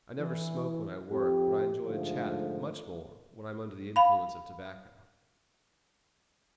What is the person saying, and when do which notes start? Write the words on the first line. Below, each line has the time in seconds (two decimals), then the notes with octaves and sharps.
I never smoke when I work, but I enjoy a chat much more when I am under the influence of tobacco.
0.20 E3
1.11 F2 C4 G4
1.87 G#2 D3 F3 A3
3.96 F5 B5